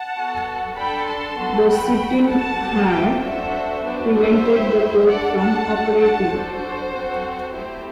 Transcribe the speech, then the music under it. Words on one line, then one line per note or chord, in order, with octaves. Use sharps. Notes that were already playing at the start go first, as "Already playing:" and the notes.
The sit-in had prevented the court from operating.
Already playing: F#5 A5
B3 F#4 A4
D4 A4 G5 B5
A5 C6
B3 F#4 A4
G5 B5
B3 F#4 A4
F#5 A5
C4 G4
E5 G5
D4 F#4 A4 C5 E5
B3 D4 F#4 C5
C5 E5
A3 E4 G4
A3 D4 A4 D5 F#5
F#5 A5
A3 D4 F#4 A4
F#5 A5
D4 F#4 A4 C5
C4 F#4 A4
A3 C4 E4 G4 C5